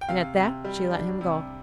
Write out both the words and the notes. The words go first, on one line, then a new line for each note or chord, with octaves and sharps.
And at that she let him go.
G5
C3 F5
C3
G3
D4
C3